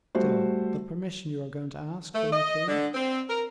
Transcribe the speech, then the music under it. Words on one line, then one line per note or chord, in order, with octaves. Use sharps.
"Still, the permission you are going to ask from the king?"
G3 A3 F#4 C5
A3
D#5
D3
C4
A#4